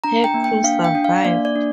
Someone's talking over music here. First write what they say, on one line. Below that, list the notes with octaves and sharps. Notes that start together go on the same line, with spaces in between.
Her crew survived.
D4 A#5
G5
A#3
G5
D4 F5
G5
D4
F5
A#3 D5
D5
D4